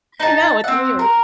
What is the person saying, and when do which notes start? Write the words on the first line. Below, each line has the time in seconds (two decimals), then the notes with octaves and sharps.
I know, it's weird.
0.20 D#4 A5
0.64 C4 F#5
0.99 A#4